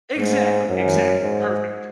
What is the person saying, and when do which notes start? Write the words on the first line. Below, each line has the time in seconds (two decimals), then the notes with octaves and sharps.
Exactly, exactly, perfect.
0.17 G#2
0.69 F#2
1.21 G#2